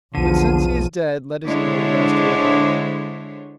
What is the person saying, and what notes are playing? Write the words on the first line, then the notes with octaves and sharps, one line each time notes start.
But since he is dead let his evil rest with him.
B1 E2 D3 F3 D#7
D3 G#3 D4 E4 C5 C#5